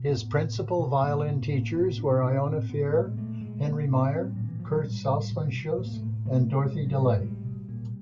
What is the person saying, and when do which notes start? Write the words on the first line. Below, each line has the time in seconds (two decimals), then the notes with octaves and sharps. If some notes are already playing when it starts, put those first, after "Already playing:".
His principal violin teachers were Ilona Feher, Henry Meyer, Kurt Sassmannshaus, and Dorothy DeLay.
Already playing: B2
0.09 A2 B3
0.32 A2
0.55 B2
0.79 B2
1.03 A2 A#3
1.28 A2
1.51 A2 A#3
1.74 A2 B3
1.98 A#2 D4
2.11 C#4
2.22 A#2 D4
2.35 C#4
2.45 A2 C4
2.69 A2 B3
2.93 A#2 A3
3.05 G#3
3.17 A#2 A3
3.40 A#2 G#3
3.64 A#2 A#3
3.88 A2 D4
4.00 C#4
4.12 A2 C4
4.24 G3
4.35 A#2 F#3
4.43 D#3
4.48 E3
4.59 A#2 F3
4.71 F#3
4.84 A2 G3
5.07 A2
5.31 B2
5.55 B2
5.78 A2 A3
5.86 A#3
5.94 A3
6.02 A2
6.26 B2 A3
6.50 B2 G#3
6.73 A2 F#3
6.85 F#3
6.97 A2 G3
7.04 A3
7.09 G#3
7.20 B2 G3
7.45 B2
7.69 A#2